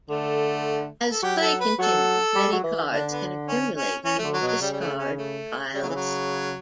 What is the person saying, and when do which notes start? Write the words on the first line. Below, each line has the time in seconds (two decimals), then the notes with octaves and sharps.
As play continues many cards can accumulate in the discard piles.
0.10 D3 A3
1.11 A4
1.23 F#3 G4
1.41 A4
1.61 B4
1.79 F#3 A4
2.35 G3
2.53 F#3
2.64 E3
2.91 D3 D4
3.11 B3
3.48 C#4
3.76 C#4
4.05 E3 C#4
4.18 A3
4.24 D3
4.33 F#3
4.42 B2
4.47 F#3
4.61 C#3 G3
4.72 G3
4.80 A3
4.98 C#4
5.18 A3
5.74 C#3 G3
5.82 F#3
5.89 E3
5.95 F#3